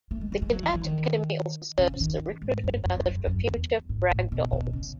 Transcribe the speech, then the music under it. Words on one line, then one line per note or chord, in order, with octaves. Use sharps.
The Cadette Academy also serves as a recruitment method for future Frag Dolls.
A3
G#3
F#3
G#3
F#3
E3
E3
D#3
C#3
D#3
G#2
F#2
F#2
E2
F#2
F#2
E2
G#2
A2
B2
B2
C#3